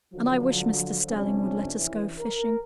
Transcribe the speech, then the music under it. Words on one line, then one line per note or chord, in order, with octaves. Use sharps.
And I wish Mr. Stelling would let us go fishing.
D3 F3 F#3
F2 C3 A3 C#4 D4
E3
A#4